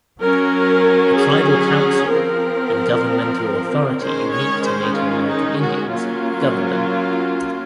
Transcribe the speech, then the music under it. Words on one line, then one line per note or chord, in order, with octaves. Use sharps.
A tribal council and governmental authority unique to Native American Indians govern them.
F#3 C#4 A#4
G#4
F3 C4 A#4
D#3 G#3 C#4 C5
C#5
C5
F4
D#4
F#4
F#3 A#3 C#4 F4